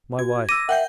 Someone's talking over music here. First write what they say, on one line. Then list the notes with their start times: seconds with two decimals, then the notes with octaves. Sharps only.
"My wife!"
0.19 F#4 G#6
0.49 D6 E6 A#6 D#7
0.69 A#4 E5 F#5 G5 G6